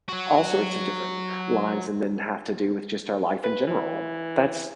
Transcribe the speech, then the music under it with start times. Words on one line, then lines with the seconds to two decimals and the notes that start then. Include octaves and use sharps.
all sorts of different lines, and then have to do with just our life in general? That's
0.09 F#3 F#4
3.44 B4
3.67 E3